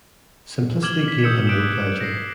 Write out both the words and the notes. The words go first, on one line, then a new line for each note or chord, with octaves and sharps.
Simplicity gave him no pleasure.
D6 F6 G#6 E7 F#7 G7
B6
D#6 E6 G6 C#7 E7
F#6 D7 E7
A#6 C7